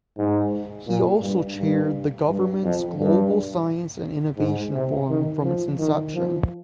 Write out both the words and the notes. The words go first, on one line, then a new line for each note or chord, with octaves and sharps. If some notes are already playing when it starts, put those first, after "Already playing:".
He also chaired the government's Global Science and Innovation Forum from its inception.
G#2
A#2
G2
G2
G2
F2
G2
G#2
C3
D#3
F3
D#3
F3